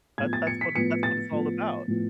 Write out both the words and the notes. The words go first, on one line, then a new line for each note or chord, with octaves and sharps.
That that's how that's what it's all about
A2 F3 B3 G#6
A6
C#7
B6
A2 F3 B3 C#7
A6
A2 F3 B3
A2 F3 B3